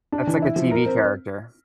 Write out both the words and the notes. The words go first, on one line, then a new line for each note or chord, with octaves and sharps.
That's like the TV character.
D4
E3
E4
F3
A#4
C4